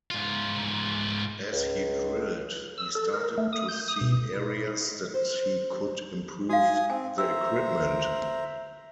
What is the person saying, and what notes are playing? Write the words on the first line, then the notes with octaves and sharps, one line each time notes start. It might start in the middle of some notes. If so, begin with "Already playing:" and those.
As he drilled he started to see areas that he could improve the equipment.
G#2 F4
C#2
E6
A4
A#4
A3
D#6
G6
D#6
B2
E4
E4
D#5
C5
F#4 F5 G#5 D#6
C4 G#5
C5 E5 A#5 E6